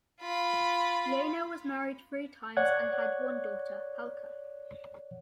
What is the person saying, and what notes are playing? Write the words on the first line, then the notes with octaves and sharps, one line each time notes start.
Leino was married three times and had one daughter, Helka.
F4 B5
C#5 D5 F#5 F#6 G#6